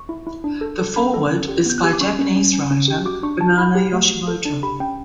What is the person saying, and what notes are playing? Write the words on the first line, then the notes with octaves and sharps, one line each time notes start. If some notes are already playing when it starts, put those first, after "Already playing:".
The foreword is by Japanese writer Banana Yoshimoto.
Already playing: C#6
E4
E4
D4
A4
A4
C#4 B5
A4
C#4
G4
B3 G6
F#6
G4 E6
D6
C#4 C#6
C#4
C#4
C#4
C#4
G4
F#4 D6
D4 C#6
F#4 A5
E4 B5
G4
A3
F#4
A4
D4
G4 B5
C#4 G5